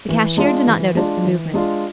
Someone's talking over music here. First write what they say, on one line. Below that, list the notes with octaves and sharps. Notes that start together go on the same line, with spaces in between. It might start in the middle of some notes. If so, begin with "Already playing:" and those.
The cashier did not notice the movement.
E3
G#3 D4 F4
E3
G#3 D4 F4
E3
G#3 D4 F4